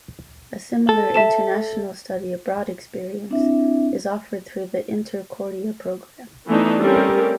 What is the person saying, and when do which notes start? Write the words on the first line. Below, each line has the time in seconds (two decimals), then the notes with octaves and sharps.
A similar international study abroad experience is offered through the Intercordia program.
0.89 A4
1.14 E5 A5 E7
3.30 C4 D4 E4 E5
6.47 E3 A3 B3 D4 D#4
6.81 G3 A3 C4 C#4 A#4